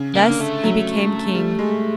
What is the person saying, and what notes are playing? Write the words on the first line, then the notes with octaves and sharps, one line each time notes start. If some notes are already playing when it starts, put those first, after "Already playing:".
Thus he became King.
Already playing: C#3
A#3
D3
A3
F#3
G3
G#3